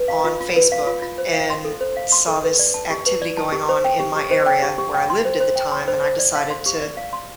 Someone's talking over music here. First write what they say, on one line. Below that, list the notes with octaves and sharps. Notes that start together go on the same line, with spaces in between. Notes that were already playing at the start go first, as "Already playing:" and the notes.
on Facebook and saw this activity going on in my area where I lived at the time and I decided to
Already playing: B4
F5
F4
F4
B4
F5
F4
F4
C5
F5
C6
A4
C5
F5
C6
A4
B4
D5
A5
G4
B4
D5
A5
G4
C5
G5
G4
G4
C5
G5
G4
G4
G5
C6
C5
C5
G5
C6
C5
C5
D5
F5
C6
G4
D5
F5
C6